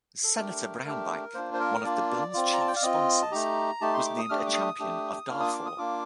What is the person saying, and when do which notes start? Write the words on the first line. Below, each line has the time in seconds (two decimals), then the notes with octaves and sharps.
Senator Brownback, one of the bill's chief sponsors, was named a champion of Darfur.
0.24 A4
0.36 A3 D4 G4 A#4
0.86 A3 D4 G4
1.34 A#3 D4 F4 C5
1.54 C5
1.60 A#4
1.83 A#3 D4 F4 D5
2.34 C4 F4
2.54 A#5
2.61 A5
2.68 G5
2.76 F5
2.82 C4 F4 D#5
3.22 A5
3.32 A3 D#4 G4 A#5
3.81 A3 D#4 G4 A5
3.94 C6
4.05 D6
4.18 D#6
4.30 A3 D4 G4 F6
4.38 D#6
4.46 D6
4.53 D#6
4.80 A3 D4 G4
5.28 A#3 D4 F4 F6
5.40 D#6
5.53 D6
5.66 D#6
5.77 A#3 D4 F4 D6